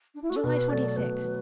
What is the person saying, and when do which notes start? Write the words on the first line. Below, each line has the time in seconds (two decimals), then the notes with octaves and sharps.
July Twenty-sixth.
0.15 D4
0.23 E4
0.30 F#4
0.36 A4
0.44 B2 B4
0.70 F#3 A3 D5
0.96 B2 B4
1.23 F#3